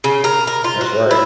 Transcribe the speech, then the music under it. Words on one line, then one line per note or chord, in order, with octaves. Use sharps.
That's right.
C#3
A#4
A#4
F4
F#4
E4